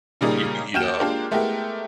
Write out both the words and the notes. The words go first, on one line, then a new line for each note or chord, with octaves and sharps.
you can heat up.
A#2 C#3 G3 A#3 D#4 G#4
D#2 F#4 G5 F6 G6 E7
G#3 A#3 D4 F4 G4 A#4
G#3 A3 B3 E4 G4 A#4